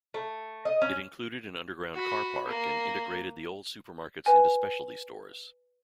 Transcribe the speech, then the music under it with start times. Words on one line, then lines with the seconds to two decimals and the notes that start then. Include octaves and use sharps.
It included an underground carpark and integrated the old supermarkets into specialty stores.
0.14 A3
0.65 D#5
0.82 C#4
1.94 F#4 B5
2.47 A#3
4.26 B4 G#5